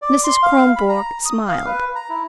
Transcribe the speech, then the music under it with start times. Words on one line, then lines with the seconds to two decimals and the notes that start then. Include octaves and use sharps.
Mrs. Kronborg smiled.
0.02 D5
0.24 C6
0.43 F5
0.76 B5
0.89 A#5
1.25 D#6
1.48 F5
1.66 B4
1.95 A#5
2.09 E4